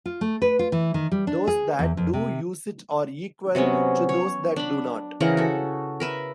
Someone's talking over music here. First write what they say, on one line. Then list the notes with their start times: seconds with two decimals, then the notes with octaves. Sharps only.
Those that do use it are equal to those that do not.
0.06 F4
0.21 A3
0.42 B4
0.59 F4
0.72 E3
0.94 D#3
1.12 G3
1.27 D4
1.47 G#4
1.79 E2
1.97 F2
2.13 C3
3.55 C3 F#3 B3 C#4
4.09 C#5
4.56 D4 B5
5.20 C#3 E3 A#4 F#5
5.37 F#4 A4
6.00 A#4 B4 E5